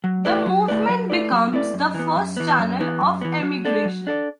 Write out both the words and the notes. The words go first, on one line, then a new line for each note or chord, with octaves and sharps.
The movement becomes the first channel of emigration.
F#3
A3 E4 B4 D5
F#3
A3 E4 B4 D5
F#3
A3 E4 B4 D5
F#3
A3 E4 B4 D5
F#2
E3 B3
F#2
E3 B3
F#2
E3 B3
F#2
E3 B3
F#3
D4 A4 D5
F#3
D4 A4 D5